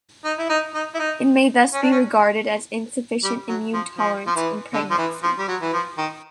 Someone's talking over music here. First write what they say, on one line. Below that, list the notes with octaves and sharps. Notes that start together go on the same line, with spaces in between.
It may thus be regarded as insufficient immune tolerance in pregnancy.
D#4
E4
D#4
D#4
E4
D#4
C#4
D4
C#4
G3
F#3
F3
F3
F3
E3
D3
F3
E3
F3
G3
F#3
E3
F3
D#3